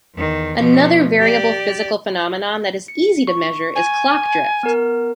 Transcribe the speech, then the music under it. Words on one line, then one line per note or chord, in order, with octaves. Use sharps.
Another variable physical phenomenon that is easy to measure is clock drift.
E2 D#3
B2 F3
G4 D5
C#7
C#6
G#5
B3 A#4